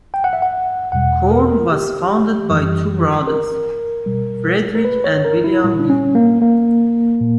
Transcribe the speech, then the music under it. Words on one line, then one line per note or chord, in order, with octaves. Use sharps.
Quorn was founded by two brothers, Frederick and William B.
G5
F#5
E5
F#5
E2 B2 G3 F#5
A#4
G4
F#2 E3 G3
A#4
B2 G3
A#4
B4
C#5
A#4
E4
A#2 G3 E4
D4
C#4
A#3
A#3
A#2